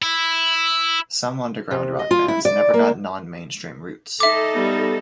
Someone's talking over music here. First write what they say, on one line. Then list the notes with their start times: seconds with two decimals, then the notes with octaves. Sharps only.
Some underground rock bands never got non-mainstream roots.
0.02 E4
1.71 C3
1.99 D#5
2.11 F4
2.28 E4
2.45 D5
2.74 A#3
4.20 D#4 A4 E5 D6
4.53 G3 B3